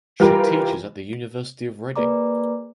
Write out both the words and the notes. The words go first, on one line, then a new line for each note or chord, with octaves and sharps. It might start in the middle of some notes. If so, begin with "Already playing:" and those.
She teaches at the University of Reading.
E3 G3 F4 G4 A#4
A#3 G#4 B4 D5 A#5 D6